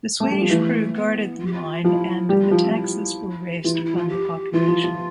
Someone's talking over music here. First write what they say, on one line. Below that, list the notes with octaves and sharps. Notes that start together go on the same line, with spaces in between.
The Swedish crew guarded the mine and the taxes were raised upon the population.
A3
G3
F3
E3 A3
B3
F4
G4
F4
F3 E4
G3
F4
F3 E4
C4
E4
E3 F4
E4
E4
F3 F4
G4
E3 F4
F3
F3